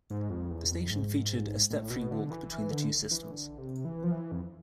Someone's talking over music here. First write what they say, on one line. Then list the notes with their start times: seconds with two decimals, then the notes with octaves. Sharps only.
The station featured a step-free walk between the two systems.
0.10 G#2
0.30 F2
0.50 E2
0.70 F2
0.90 G#2
1.71 A2
1.90 B2
2.11 D3
2.30 E3
2.51 E3
2.71 D3
3.11 E3
3.31 D3
3.58 C3
3.85 E3
4.04 F3
4.11 E3
4.32 F2